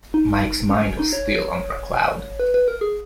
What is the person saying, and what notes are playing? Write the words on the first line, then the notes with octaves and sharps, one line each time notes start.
Mike's mind was still under a cloud.
D#4
C#4
C#4
D#4
C#5
B4
B4
A#4
G#4